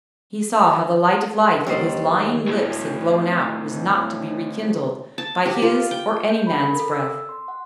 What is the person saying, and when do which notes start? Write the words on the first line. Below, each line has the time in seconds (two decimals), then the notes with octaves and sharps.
He saw how the light of life that his lying lips had blown out was not to be rekindled by his or any man's breath.
1.67 D#2 G3 C5 D#5
2.48 D2 A2
5.18 A5
5.46 G4
5.62 F4
5.91 G5
6.30 G6
6.47 B5
6.63 A#4
6.79 A4
6.92 E6
7.29 C6
7.48 F#5